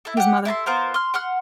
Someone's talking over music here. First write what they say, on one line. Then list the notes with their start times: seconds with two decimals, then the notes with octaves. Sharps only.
His mother.
0.05 E4 A4
0.17 G4 F#5
0.45 E4 A4 A#5 C6
0.66 B3 F4 A#4 C5
0.94 C6 F6
1.14 F#5 C6 F6